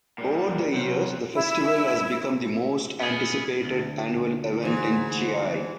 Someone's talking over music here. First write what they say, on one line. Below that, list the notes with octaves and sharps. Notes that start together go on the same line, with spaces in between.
Over the years the festival has become the most anticipated annual event in Chiayi.
A#2 G3
F2 C3 F#3 C5
E4
B3 G#4
D2
G#2 E3